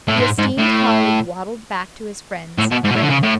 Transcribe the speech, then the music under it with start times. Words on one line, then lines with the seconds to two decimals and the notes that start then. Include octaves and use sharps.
The esteemed colleague waddled back to his friends, grinning.
0.08 A2
0.18 G#2
0.38 G#2
0.58 A2
2.58 A2
2.71 B2
2.84 G#2
2.90 B2
2.95 A2
3.03 D3
3.09 C#3
3.23 A2